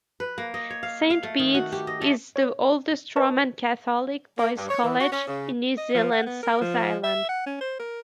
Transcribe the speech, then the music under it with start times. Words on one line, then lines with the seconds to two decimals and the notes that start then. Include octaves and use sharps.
Saint Bede's is the oldest Roman Catholic Boys' College in New Zealand's South Island.
0.20 B4
0.38 A#3
0.54 D#5
0.70 C#5
0.83 F5
1.10 F5
1.23 A3
1.39 D#3
1.54 F#4
1.72 G4
1.87 D#5
2.01 A3
2.36 C#5
3.16 B4 C5 D#5 A5 C#6
4.38 A#3
4.57 G2
4.69 C#5
4.83 E3
4.99 F#4
5.12 C#4
5.27 C#3
5.78 D#5
5.95 F3
6.11 F#5
6.26 B3
6.43 A#4
6.61 F3
7.04 E5
7.29 F#5
7.46 C#4
7.61 C5
7.79 A#4